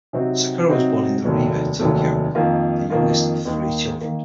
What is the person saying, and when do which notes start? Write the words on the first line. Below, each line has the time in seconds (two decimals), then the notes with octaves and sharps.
Sakura was born in Nerima, Tokyo, the youngest of three children.
0.13 C3 F#3 C4 D#4 F#4
0.69 C3 F#3 C4 D#4 F#4
1.24 F1 D#2 D#3 F#3 A3
1.79 F1 D#2 D#3 F#3 A3
2.35 F2 D#3 A#3 F4
2.90 F2 D#3 A#3 F4
3.45 D#2 D#3 A#3
4.01 D#3 A#3